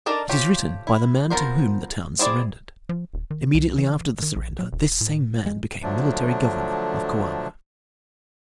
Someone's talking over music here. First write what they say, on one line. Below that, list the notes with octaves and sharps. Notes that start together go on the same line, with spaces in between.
It is written by the man to whom the town surrendered. Immediately after the surrender this same man became Military Governor of Coamo.
D4 D#4 A4 A#4 D5
F3 A3 F4 G4 C#5
E4
F3 B3 A#4 C5
C4 E4 G#4 D5
F3
D#1
D#3
C2
E3
D#3
A#1
F#3
D#1
A2
G#3
D3 F3 F#3 A3 D4